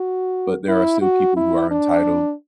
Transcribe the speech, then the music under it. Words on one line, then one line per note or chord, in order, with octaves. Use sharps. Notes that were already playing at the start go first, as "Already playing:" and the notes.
but there are still people who are entitled,
Already playing: F#4
E4
F#4
E4
D4